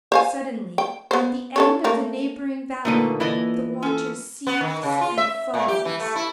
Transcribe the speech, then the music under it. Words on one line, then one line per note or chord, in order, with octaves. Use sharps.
Suddenly, at the end of the neighbouring valley, the water seethes and foams.
C5 F5 G#5
G5
B3 C5
C#4 A4 C#5
A3 A#3 A#4
A#2 D3 A3 D#4 B4
E3 E4 D5 D#5
C#4 A4
B3
D#3
C#3
F4
E5
A#2
G4
E3
A3
E4